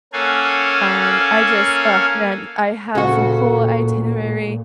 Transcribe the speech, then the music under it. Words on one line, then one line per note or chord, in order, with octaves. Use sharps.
um, I just ugh, man, I have a whole itinerary
A#3 C#4 A4 F5 F#5 G#5
D2 A#2 C#3 F#4 A4 A5